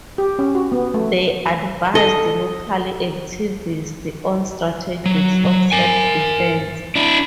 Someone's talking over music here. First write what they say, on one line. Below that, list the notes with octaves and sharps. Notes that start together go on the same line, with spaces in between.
They advised local activists on strategies of self-defense.
G4
C#4
F#4
B3
A3
A4 D#5
F#3
F#3
A#4 G#5
D4 E4